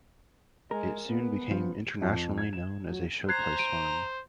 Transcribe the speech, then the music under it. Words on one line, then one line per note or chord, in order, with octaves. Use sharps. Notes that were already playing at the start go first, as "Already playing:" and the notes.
It soon became internationally known as a showplace farm.
G#3 A#4
B3
F3
F2
G#6
E7
F#3
C5 A#5 F#6 G#6 C7
D7 D#7